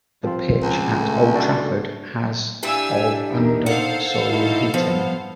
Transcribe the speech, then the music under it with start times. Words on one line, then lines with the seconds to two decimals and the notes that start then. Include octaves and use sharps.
The pitch at Old Trafford has of under-soil heating.
0.23 F3 C4 F4
0.63 C#2
0.99 A3
1.35 D4 F#4 D5
2.63 A2 G3 D4 F5 G#5 E6
3.33 E2 D#4 A#4
3.66 A4 C5 F5 F#5
4.28 A3 D#4 E4
4.74 F3 B3